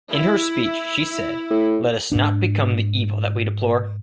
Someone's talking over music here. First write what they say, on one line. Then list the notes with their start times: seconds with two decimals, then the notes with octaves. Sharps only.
In her speech she said, "let us not become the evil that we deplore".
0.11 E4
1.50 A2
2.12 G#2 D4